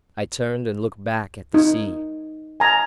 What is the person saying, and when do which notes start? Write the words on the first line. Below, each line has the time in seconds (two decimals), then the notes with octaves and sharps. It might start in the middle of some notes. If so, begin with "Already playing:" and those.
I turned and looked back at the sea.
1.54 D#4
2.60 G#5 A#5